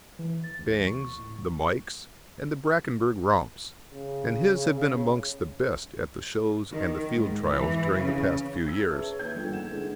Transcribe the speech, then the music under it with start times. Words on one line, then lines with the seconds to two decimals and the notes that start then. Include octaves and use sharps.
Bangs, the Mikes, and the Brackenburg Romps, and his have been amongst the best at the shows and the field trials during the past few years.
0.19 E3
0.44 A6
0.59 D2
0.87 C#6
1.19 A2
3.91 C#3
6.71 D#3
7.14 G#2
7.48 E3
7.95 C#3
8.66 E6 G#6
8.90 G#4 B4 C#5 E5 A5
9.19 D#2 D#3 B4 G6 G#6
9.35 G1 F3 D4 A4 G5
9.51 D#3 F#5 E7
9.69 D3 D#3 G#3 E4